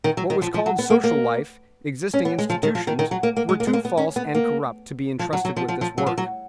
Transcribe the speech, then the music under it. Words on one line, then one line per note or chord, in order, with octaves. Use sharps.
What was called social life, existing institutions, were too false and corrupt to be intrusted with this work.
D#3
F#3
D#3
F3
F3
F#3
B3
A#3
A#3
C#4
B3
G#3
F3
D#3
F3
D#3
D#3
F#3
A#3
A#3
G#3
A#3
G#3
A#3
B3
C#4
B3
A#3
F3
F#3
F#3
F3
F3
F3
F#3
F3
F#3